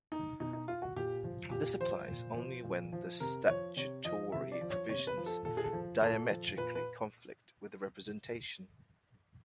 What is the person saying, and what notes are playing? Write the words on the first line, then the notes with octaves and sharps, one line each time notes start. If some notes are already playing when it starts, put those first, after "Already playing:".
This applies only when the statutory provisions diametrically conflict with the representation.
D#4
B2 D#4
D#4
F4
F#4
A#2 G4
F3
A#2 G4
F3 C5
A#2
F3
A#2
F3
C3 A#4
F3 C#5
C3 C#5
F3 D#5
C3 E5
D5
F3
C#5
C3 C#5
B4
F3
A4
A#2 A4
G#4
A4
F3
A#2 A4
F3
A#2 B4
B4